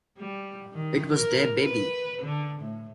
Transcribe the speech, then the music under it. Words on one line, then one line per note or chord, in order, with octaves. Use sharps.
It was their baby.
G3
D#3
A#4
B4
D3
A2